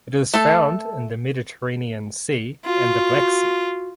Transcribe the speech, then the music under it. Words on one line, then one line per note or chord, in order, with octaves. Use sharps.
It is found in the Mediterranean Sea and the Black Sea.
A3 A4
F4 F#4